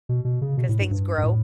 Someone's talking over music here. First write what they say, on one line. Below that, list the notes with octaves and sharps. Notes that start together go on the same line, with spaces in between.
'Cause things grow?
B2
B2
C#3
B2
A2
G2
G2
G2
A2